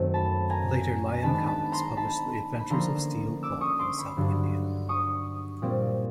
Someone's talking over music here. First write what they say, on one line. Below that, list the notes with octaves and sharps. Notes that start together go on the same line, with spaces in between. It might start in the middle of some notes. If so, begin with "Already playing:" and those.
Later "Lion Comics", published the adventures of Steel Claw in South India.
Already playing: F#2 D#3 F#3 A3 C4
A5 B5
G#5 A#5
D#3 G#3 B3 D4 A5 B5
A5 B5
A#5 C6
A5 B5
B5
D3 F3 A#3 C#4 A#5 C6
D6 E6
C#6 D#6
C6 D6
B5 C#6
G2 D3 F#3
C#6 D#6
A#2 G3 C4